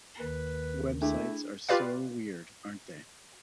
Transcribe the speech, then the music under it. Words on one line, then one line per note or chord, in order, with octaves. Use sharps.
Websites are so weird, aren't they?
D#2 D#3 B4
A3 D4 E4 G#4
F4 G4 B4 D5 F5